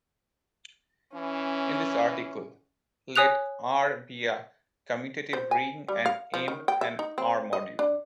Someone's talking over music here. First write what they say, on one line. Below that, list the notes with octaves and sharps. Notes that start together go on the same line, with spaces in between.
In this article, let "R" be a commutative ring and "M" an "R"-module.
E3 C#4
C#5 G#5 D#6 F#6 F7
C5
G#5
G3
F5
F3
D#3
G5
E5
D#4
C4
D#5
D4